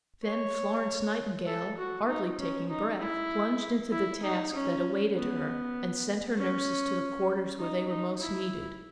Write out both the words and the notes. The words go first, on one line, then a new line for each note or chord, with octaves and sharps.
Then Florence Nightingale, hardly taking breath, plunged into the task that awaited her and sent her nurses to the quarters where they were most needed.
C#5
A4
F#4
D#4
C#4
D#4
E4
E4
D#4
C#4
B3
C#4
D#4
D#4
E4